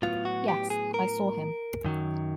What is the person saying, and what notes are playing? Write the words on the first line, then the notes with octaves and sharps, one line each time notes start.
Yes, I saw him.
A2 F#3 B3 F4
F#4
G4
G#4
A#4
F#2 D#3 F#3